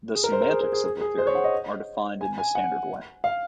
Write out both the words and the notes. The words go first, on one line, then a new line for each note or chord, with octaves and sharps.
The semantics of the theory are defined in the standard way.
G#4
A#4
C5
A#4
G#4
A#4
G#4
G#4
G#4
C5
C#5
F#5
D#5
G#5
G#5
F#5
F5